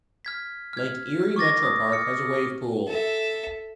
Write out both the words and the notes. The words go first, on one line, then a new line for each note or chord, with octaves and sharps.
Lake Erie Metropark has a wave pool.
F6 G#6 B6
F6 G#6
C#6 D6 A6 A#6
D#6
F6 C#7
A4 E5